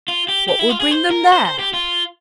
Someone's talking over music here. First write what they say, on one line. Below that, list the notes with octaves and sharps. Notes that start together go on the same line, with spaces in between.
"What would bring them there?"
F4
G4
G4
E4
F4
G#4
C5
A#4
C5
C5
G4
F4